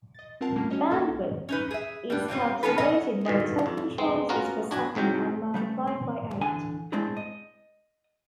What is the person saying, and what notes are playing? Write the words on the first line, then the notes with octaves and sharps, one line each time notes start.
Bandwidth is calculated by taking transfers per second and multiplying by eight.
D#5 A6
C4 F4 A#4 F#5 A5
G3 A3 A#3 C#4
C#4 F#4 C#5 D#5
G#1 A#3 D#4 A4 C#6 G#6
B1
C#4 D#4 B4
G#4 E5
G3 B3 D4
A#2 G3 C4 C#4
D#3 G#3 B3 C#4 A4 B4
C#4 A4 D#5 F#5
G2 B2 D3 D#3
F2
G#3 B3 C4
A#3 B3 C#4 F4 F#4 A#4
A#1 D4 F#4 G#5
C2 G#2 C3 F#3 G5
C#3 G3 A3
C4
D3 E3 G#5
G#3 A3 C4 D4 E4 G#4
D#5